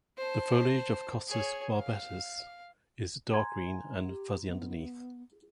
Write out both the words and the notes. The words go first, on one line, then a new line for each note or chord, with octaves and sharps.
The foliage of "Costus barbatus" is dark green and fuzzy underneath.
C5 A5
G#4 C#5
F5
G#5 A#5 C6 G#6
G4
B3